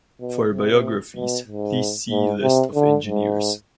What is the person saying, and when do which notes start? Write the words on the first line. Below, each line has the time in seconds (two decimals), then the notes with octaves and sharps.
For biographies please see List of engineers.
0.21 B2
0.52 C3
1.16 B2
1.47 G#2
2.11 G#2
2.42 C3
2.74 D3
3.06 G#2